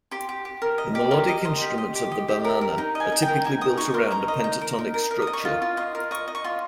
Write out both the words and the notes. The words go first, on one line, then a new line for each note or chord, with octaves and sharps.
The melodic instruments of the Bamana are typically built around a pentatonic structure.
G4 C6
G4
G4
A#4
D#5
G4
A#4
D#5
D#5 C6
G4
D#5
G4
D#5
G4
A#4
A#4
D#4 A#5
D#5
G#5
D#4
G5
A#4
D#4 G#5
D#4 D#6
D#4 C#6
A#4 C6
D#4 A#5
D#5
D#4
A#4
D#4
A#4
A#4
D#6
D#5
C#6
F4 C6
F4
D#5 C6
A#4
D#5 C#6
D#5
C#6
F4 C6